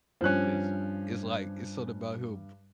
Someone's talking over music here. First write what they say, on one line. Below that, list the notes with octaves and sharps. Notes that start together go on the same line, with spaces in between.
'cause it's, like, it's something about him p
G2 F3 C#4 F#6